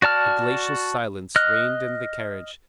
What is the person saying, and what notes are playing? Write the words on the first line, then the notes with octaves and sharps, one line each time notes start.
A glacial silence reigned in the carriage.
F#4 D5 A5 F6
D#5 F6 F#6